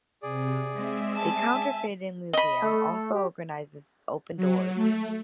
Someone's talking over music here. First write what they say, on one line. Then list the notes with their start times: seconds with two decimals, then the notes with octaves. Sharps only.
The Counterfeiting Museum also organizes Open Doors.
0.23 C3 G#4 D5
0.74 G#3 C4 E5
1.15 G#5 A5
2.33 D#5 B5
2.62 A3 A4
3.12 G4
4.37 F#3
4.75 A3